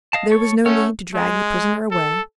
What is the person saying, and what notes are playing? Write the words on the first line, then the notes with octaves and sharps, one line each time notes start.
There was no need to drag the prisoner away.
D#5 F5 A5
A4 C#5 C#6
A3 C#4 C#5 F#5 F6
G#3
A4